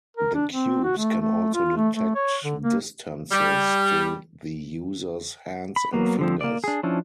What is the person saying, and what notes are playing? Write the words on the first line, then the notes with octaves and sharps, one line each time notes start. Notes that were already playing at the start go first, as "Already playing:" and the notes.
The cubes can also detect distances to the user's hands and fingers.
A#4
D4
C4
F#4
A3
A3
F4
A3
A3
C#5
D3
A#3
G3
B5
F#3 A#3 B3
D3 F3 C4
A#3 D5
D4 G#4
F3 C#4 D4 E4